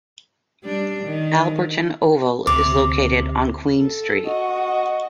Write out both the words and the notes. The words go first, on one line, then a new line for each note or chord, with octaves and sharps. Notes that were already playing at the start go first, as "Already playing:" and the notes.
Alberton Oval is located on Queen Street.
G3 D4
D#3
D2 C3 D6
A4
F#4 D#5